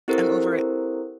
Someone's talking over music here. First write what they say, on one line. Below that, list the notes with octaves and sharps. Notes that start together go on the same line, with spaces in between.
I'm over it.
C4 E4 G4 A4 A#4 C5